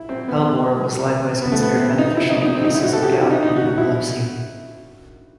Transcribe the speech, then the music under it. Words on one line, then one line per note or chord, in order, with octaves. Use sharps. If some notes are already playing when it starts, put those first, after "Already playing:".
Hellebore was likewise considered beneficial in cases of gout and epilepsy.
Already playing: E4
C4
B3
B3
A3
B3
C4
D#4
E4
D#4
D#4
C4
D#4
E4
F#4
A4
G4
F#4
E4
D#4
D#4
F#4
F#4
E4